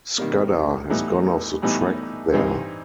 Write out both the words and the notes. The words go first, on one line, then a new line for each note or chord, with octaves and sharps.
Scudder has gone off the track there.
C3 D#3 G3 A#3
A2 E3 G3 B3 D#4
A2 E3 G3 B3 D#4
G2 E3 G3 C4 D#4